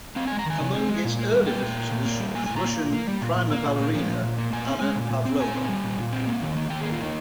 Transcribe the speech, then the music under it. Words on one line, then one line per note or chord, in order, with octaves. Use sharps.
Among its early visitors was Russian prima ballerina Anna Pavlova.
C4 F5
G#3 G#5
A#5
D#3 G#5
C3
C4
G#3
A#2
A#3
G3
A#2 G5
A#2
A#3
A#2
A#3
G3
A#2 G#5
A#2 G#5
A#5
A#3
A#2
A#3
G3
A#2
A#2
A#3
A#2
A#3
F3
A#2
A#2
A#3
A#2 G#5
C4
G#3
A#2
A#2
C4
A#2 G#5
C4
G3
A#2
A#2
C4
A#3
D#3
A#3
D#3 G5
A#3 G#4
F4
D#3 D#4